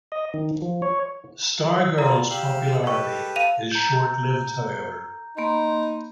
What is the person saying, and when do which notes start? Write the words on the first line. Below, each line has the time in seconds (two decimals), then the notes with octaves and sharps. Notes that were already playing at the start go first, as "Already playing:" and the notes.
Stargirl's popularity is short-lived, however.
0.12 D#5
0.34 D#3
0.62 F3
0.82 C#5
1.98 F4 D5 A#5
2.30 G4 F5 E6
2.84 G4 A4 B4 D#5 C#6
3.36 F5 D#7 F7
3.72 A#5 G6
5.37 A#3 D#4 B5 C6